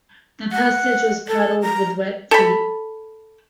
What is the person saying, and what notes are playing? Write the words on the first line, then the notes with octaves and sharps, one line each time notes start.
The passage was paddled with wet feet.
F#5
A4
A#5
A4 B5